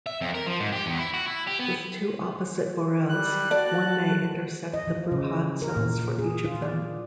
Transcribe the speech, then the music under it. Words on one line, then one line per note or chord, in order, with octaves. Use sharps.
With two opposite Borels one may intersect the Bruhat cells for each of them.
E5
F2
A#4
F3
G#2
G4
E2
E4
F#4
E4
G4
B3
G3 F#6
F#4 D5 A5
D#5
F3
C#3
A#4
A#2
G#4
F4
D5